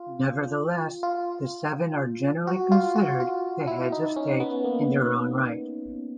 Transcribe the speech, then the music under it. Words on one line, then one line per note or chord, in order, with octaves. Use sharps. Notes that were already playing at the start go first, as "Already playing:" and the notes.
Nevertheless, the seven are generally considered the heads of state in their own right.
Already playing: F4
F4
F#4
F4
F#4
F4
E4
D#4
C#4
B3
A#3